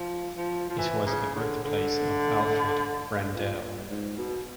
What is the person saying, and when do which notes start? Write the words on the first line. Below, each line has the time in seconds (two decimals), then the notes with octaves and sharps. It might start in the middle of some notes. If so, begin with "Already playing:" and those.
It was the birthplace of Alfred Brendel.
Already playing: F3
0.36 F3
0.70 F3
0.78 E3
1.06 C#3
1.35 D3
1.64 D3
3.33 A#2
3.61 A#2
3.78 G2
3.90 G#2
4.17 B2